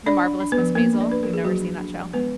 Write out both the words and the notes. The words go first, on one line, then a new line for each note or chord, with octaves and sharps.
"The Marvelous Mrs. Maisel"? You've never seen that show?
D4 D5
D4
D4
B3 B4
F3
A#3 B3 A#4
D4
D5
D4 B4
F3 A#4
G#4
F3 F#3 F#4
D4
D4
F3
G#3 B3 B4